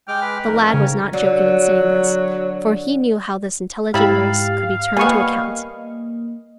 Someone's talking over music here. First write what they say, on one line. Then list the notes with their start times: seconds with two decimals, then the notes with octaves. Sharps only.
The lad was not joking in saying this, for he knew how this intelligent race could be turned to account.
0.08 G#3 G5 D6 F6
0.22 B4
0.46 F2 D#3 A#4
0.61 C#4
0.74 C#3
1.13 D3 F#3
3.94 G#2 D#4 E4 G4 F5 B5 A6
4.97 G3 A#3 B3 D#5 G#5 C#6